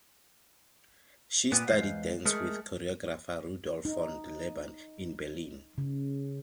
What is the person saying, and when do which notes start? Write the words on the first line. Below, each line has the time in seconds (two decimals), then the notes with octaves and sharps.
She studied dance with choreographer Rudolf von Laban in Berlin.
1.52 A#2 B3
1.68 E2 G#3 C5 F5
2.25 G#3 A3 G#4 A#4
3.85 D#4
5.78 C#3